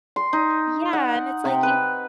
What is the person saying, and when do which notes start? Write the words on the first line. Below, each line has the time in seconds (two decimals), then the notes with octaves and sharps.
Yeah, and it's, like, you
0.16 C6
0.33 D#4
0.93 F#5
1.45 C3
1.63 B4